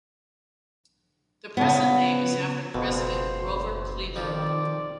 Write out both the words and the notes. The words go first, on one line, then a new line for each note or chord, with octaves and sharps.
The present name is after President Grover Cleveland.
C#3 B3
F#1 F2 B2 C5
F2 D#3 F3 D5